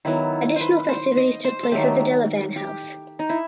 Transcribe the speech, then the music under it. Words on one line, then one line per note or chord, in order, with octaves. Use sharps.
Additional festivities took place at the Delavan House.
D#3 F#3 B3 E4
B4 C5
C5
D#5
C5
A4
D#3 F#3 A3 G4
G4
D#4
E4